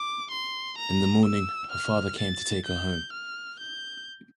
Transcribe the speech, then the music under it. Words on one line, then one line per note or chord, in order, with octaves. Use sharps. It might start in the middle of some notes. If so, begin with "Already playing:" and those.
In the morning, her father came to take her home.
Already playing: D6
C6
A#5
E6
F6
A6
G6
F6
G6